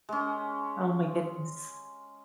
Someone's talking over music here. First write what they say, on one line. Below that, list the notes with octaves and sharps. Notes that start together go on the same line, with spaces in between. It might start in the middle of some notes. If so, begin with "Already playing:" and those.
Oh my goodness.
G#3 C#4